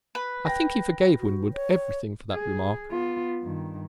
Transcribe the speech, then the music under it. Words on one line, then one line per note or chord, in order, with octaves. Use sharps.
I think he forgave Winwood everything for that remark.
B4
G5 A#6
F#4
C#5
G#4
B3 F4
G2 D#3